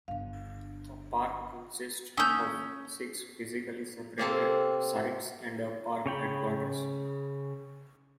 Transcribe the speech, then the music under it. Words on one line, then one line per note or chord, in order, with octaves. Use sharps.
The park consists of six physically separate sites and a park headquarters.
G1 D3 F5
D#3 A#3 C#4 G#5 D#6 E6 G6
C3 A#3 C4 A4
C#3 C#5 G5 B5